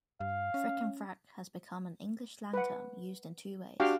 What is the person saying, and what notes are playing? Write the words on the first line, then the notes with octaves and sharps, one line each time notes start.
"Frick and Frack" has become an English slang term used in two ways.
G2 F5
C#4
B4 F#5
D4 F#4 G4 F5 G5